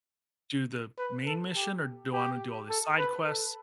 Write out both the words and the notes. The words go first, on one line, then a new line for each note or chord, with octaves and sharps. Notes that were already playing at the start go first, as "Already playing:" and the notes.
do the main mission or do I wanna do all these side quests?
B4
A4
G4
G4
A4
B4
A4